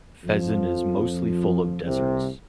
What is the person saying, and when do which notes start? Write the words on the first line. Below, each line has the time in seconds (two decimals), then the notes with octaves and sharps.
Fezzen is mostly full of deserts.
0.24 F2 F3
1.85 C2 C3